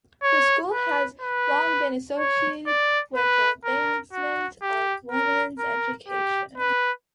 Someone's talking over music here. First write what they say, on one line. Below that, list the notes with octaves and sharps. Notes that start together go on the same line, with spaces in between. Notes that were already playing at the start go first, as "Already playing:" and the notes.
The school has long been associated with the advancement of women's education.
C#5
B4
B4
C#5
D5
B4
A#4
F#4
G4
A#4
A#4
G4
B4